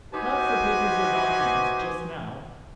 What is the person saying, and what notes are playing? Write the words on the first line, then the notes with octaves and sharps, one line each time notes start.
Not for papers or documents--just now.
D#4 F#4 G4 B4 C5 G#5